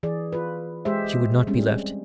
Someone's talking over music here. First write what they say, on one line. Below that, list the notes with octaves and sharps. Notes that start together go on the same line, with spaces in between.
"She would not be left."
E3 G#4 D5
F4 B4
G#3 G4 G#4 C5 E5
G3 G#3 C4 C#4